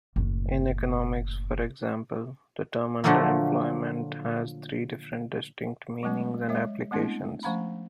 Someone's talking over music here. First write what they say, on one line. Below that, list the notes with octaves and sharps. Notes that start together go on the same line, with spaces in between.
In economics, for example, the term underemployment has three different distinct meanings and applications.
F#1 A2
A#2 D3 F3 F#3 A3 A#3
F#3 G#3 A3 C#4
G#3 C#5 E5
G#3 A3 B3 C4 D4 E4
F3 A3 C#4 F5 A#5 B5